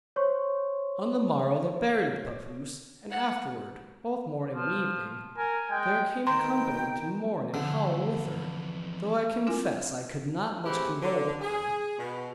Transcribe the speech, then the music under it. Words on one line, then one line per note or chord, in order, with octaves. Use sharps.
On the morrow they buried the papoose, and afterward, both morning and evening, there came a company to mourn and howl with her; though I confess I could not much condole with them.
C5 C#5 C6 C#6
F#5
F3
A#4 G#5
G#3 G5
D#3 B3 G5 A#5 C6
F2 D3 E3
C4 D4 E4 F4 A#4 G#5
A2 G#3 C4 E4 F#4 G4
D3
G#4
B2